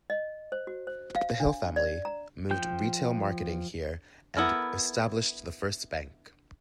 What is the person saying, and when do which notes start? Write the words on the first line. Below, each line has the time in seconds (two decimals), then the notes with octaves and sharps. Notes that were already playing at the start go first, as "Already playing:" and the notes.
The Hill family moved retail marketing here and established the first bank.
0.10 D#5
0.52 C5
0.67 F#4
0.87 C5
1.16 F5
1.40 D4
1.76 D5
2.05 A#5
2.50 F3 G5 G6
4.37 B3 E4 A4 A#4